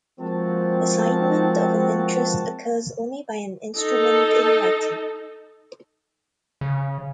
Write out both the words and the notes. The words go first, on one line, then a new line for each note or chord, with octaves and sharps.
Assignment of an interest occurs only by an "instrument in writing".
F3 G#3 A#3 C4 F#4 A5
D#4 A4
C#3